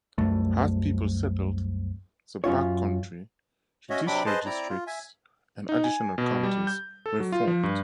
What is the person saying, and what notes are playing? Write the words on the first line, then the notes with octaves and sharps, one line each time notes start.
As people settled the backcountry, judicial districts and additional counties were formed.
C2 F#2 A3
F#2 C#4 F4 C#5
C#4 F#4 C#5 D#5 E5
C3 F#3 C4 D4 B5 D6
G#4 B4 C5 D#5 A5 C6
C4 E4 D5 A#5
F4
E5 G#5
D#4
G#5
B2
G3
G6
A4
F#3
F4
F3
G2